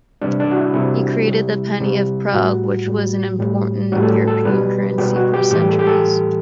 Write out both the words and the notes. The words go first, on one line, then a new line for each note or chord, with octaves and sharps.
He created the penny of Prague, which was an important European currency for centuries.
C3 G3 D4
D4
F#4
E4
C3 G3 E4
C3 G3
C3 G3
A2 G3 F#4
A2 G3
A2 G3
A2 G3 F#4
A4
G4
A4
B2 G3 B4
B2 G3 G4
F#4
G4
A2 E3 G3 G4
A4
G4
A4